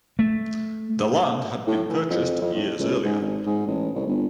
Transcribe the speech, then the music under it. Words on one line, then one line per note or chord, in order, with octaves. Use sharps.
The land had been purchased years earlier.
A3
A2
E3
F2
F2
A2
C#2
G#2
G#1
G#2
A1
C2
G1